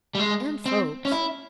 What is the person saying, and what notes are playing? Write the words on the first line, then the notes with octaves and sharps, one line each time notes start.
And folks.
G3
G#3
C4
C#4
E4